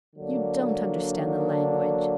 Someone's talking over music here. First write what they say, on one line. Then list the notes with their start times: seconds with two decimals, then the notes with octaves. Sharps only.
You don't understand the language.
0.16 D3 F#3 A#3 D4